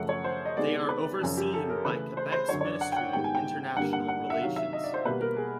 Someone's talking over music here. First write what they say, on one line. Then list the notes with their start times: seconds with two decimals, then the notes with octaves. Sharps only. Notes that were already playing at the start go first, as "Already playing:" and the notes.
They are overseen by Quebec's Ministry of International Relations.
Already playing: F#2 C#3 F3 A3 F#5
0.09 C#5
0.24 C5
0.46 D#5
0.57 C3 D#3 G#3 B3 D5
0.89 B4
1.21 F#2 C#3 F3
1.37 G4
1.54 A4
1.69 A#4
1.85 C#3 E3 A3 B4
2.17 C5
2.32 C5
2.49 F#2 D3 F#3 C#5
2.61 C#5
2.64 D5
2.81 F#5
2.92 G5
2.97 F#5
3.13 G#2 D#3 G3 B3 G5
3.24 G#5
3.35 G5
3.76 G2 D3 G3 A#3 F#5
3.93 F#5
4.08 F#5
4.30 E5
4.41 C3 D#3 F#3 F5
4.56 E5
4.73 D#5
4.84 D5
4.94 C5
5.05 B2 G3 A#3 B4
5.21 A#4
5.37 G#4